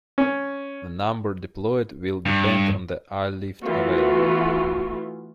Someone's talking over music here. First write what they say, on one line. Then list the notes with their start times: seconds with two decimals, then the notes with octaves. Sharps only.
The number deployed will depend on the airlift available.
0.18 C#4
2.26 G2
3.62 E3 A3 B3 F4 F#4